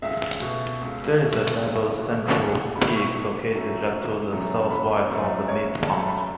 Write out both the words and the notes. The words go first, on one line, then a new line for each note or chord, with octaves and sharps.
There is a double central peak located just to the southwest of the midpoint.
C#2 E5
B2 A3
C#2
B2 A3
C#2
B2 A3
C#2 F#5
B2 A3 B5
C#6
F#1
F#2 F#3 A3
F#1
F#2 F#3 A3
F#1 B5
F#2 F#3 A3
F#1 C#5
F#2 F#3 A3 A5
B5